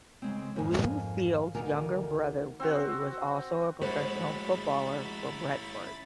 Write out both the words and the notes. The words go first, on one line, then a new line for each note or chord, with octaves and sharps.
Bloomfield's younger brother Billy was also a professional footballer for Brentford.
C#3 G#3 C4
F2 G#2 A#3 G#5
D2 D#3 A#4 G#5
C4 F#4
G#3 C#4 E4 F#4 C5 B5 A6